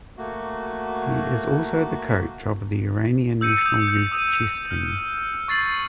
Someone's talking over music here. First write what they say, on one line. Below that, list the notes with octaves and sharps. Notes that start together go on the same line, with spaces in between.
He is also the coach of the Iranian national youth chess team.
A3 A#3 F#4
E6 G6 C#7 D#7
D#6 G6
G6
D#6 E6 D#7
F6
C#6 A6 C7 F#7